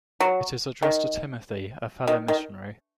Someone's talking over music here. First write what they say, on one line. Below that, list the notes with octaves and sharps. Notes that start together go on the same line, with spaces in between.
It is addressed to Timothy, a fellow missionary.
F#3
D#3
D#3
D#3